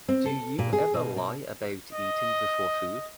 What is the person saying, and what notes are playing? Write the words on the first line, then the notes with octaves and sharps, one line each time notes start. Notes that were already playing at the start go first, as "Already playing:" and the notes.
Do you ever lie about eating before food?
C4
A4
A#2
G#4
B2
B2
D#5